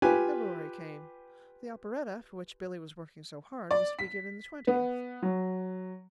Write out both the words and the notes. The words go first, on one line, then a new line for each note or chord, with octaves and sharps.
February came The operetta, for which Billy was working so hard, was to be given the twentieth.
F4 G4 B4 G#5
D5
B6
B3
F#3